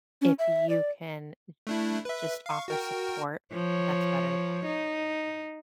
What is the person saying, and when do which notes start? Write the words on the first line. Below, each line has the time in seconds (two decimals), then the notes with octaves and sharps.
if you can n n just offer support, that's better than
0.22 C#4
0.39 E5
0.69 D5
1.67 A3 D4 E4
2.05 B4 E5
2.46 F5 C#6
2.68 F#4 A#4 G5
3.53 F3 C#5
4.66 D#4